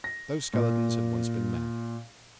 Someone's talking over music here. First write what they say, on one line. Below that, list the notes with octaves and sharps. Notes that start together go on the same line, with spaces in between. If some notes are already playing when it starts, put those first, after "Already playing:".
Those skeletons had once been men.
A#6
A#2